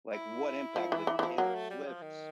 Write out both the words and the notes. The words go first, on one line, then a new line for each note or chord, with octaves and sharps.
Like, what impact did Taylor Swift's,
E4
F3
E3
E3
E3
F3
F#3 A#3
A3
G3
F3
D#3